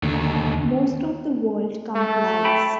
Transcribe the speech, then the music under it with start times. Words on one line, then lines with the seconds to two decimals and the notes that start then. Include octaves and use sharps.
Most of the world complies.
0.03 D#2 D3
1.95 A3
2.45 E5 G5 B5